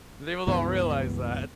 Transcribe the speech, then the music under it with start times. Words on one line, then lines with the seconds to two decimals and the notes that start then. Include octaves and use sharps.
People don't realize that.
0.47 C#2 G2 E3 B3